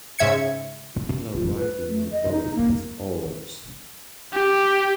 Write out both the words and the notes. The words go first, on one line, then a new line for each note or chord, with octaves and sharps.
People are riding in a boat with oars.
G#2 C#3 E5 G#6 C#7
F4
B4
A3
D#5
D#4
A#3
G4